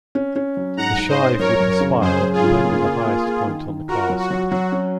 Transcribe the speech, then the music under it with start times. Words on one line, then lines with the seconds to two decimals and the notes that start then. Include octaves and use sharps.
The shive with the spile will then be the highest point on the cask.
0.15 C#4
0.36 C#4
0.57 F#3
0.77 G#2 F#5 A#5
0.98 G#2
1.08 C5 D#5
1.19 C#4
1.39 F#3 A#4 C#5
1.60 F#2
1.81 C#3
2.01 F#2 G#4 C5
2.22 F#2
2.33 F4 G#4
2.43 C#3
2.64 A#3
2.85 A#3
3.06 A#3
3.27 A#3
3.47 D#3
3.68 D#3
3.88 F4 F#4 A#4
4.10 F#3
4.20 F#4
4.30 F#3
4.50 F#3 F#4
4.72 C#4